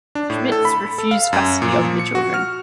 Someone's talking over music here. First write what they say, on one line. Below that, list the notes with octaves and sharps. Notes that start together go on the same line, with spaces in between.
Schmitz refused custody of the children.
D4
A2
A4
B5
A4
F5
F#2
A#2
F3
C#7
F#4
F6